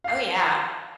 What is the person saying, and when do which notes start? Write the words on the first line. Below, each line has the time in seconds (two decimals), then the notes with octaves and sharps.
Oh, yeah.
0.04 F5 C7